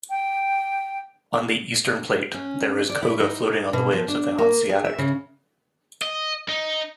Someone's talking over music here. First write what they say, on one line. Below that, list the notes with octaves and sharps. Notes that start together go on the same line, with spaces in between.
On the eastern plate, there is koga floating on the waves of the Hanseatic.
G5
C#4
D5
E4
D#4
B2
F3
D4
A#3
G#4
E5
C#3
D#5
D#4